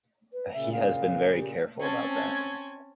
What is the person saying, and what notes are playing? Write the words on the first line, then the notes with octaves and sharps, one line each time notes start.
He has been very careful about that.
B4
A#2 C#3 E5
F5
G4
C4 C#4 A5 G#6